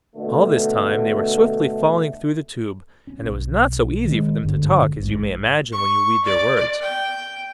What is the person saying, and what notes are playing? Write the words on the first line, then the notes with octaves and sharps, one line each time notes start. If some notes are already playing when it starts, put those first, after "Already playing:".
All this time they were swiftly falling through the Tube, and it was not so easy for them to talk as you may imagine when you read their words.
B2 D3 A3
C#4
B1
D#3 G#3
G1 D2 G#2 D3
A1 G#2
C#6
D5
G5